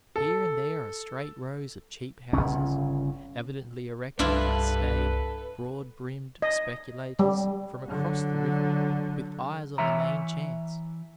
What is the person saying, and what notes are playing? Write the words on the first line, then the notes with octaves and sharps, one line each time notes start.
Here and there are straight rows of cheap houses, evidently erected by staid, broad-brimmed speculators from across the river, with eyes on the main chance.
A4
G1 C2 C#3 C#4
C2 G2 D4 E4 F4 A4 B4
D#5
G3
D3 F#3
E3 C#5 E5 A#5